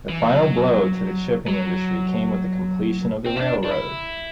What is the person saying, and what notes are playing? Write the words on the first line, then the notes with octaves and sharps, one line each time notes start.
The final blow to the shipping industry came with the completion of the railroad.
E3
F#3
F#3
C4
E4
D4
D4
E4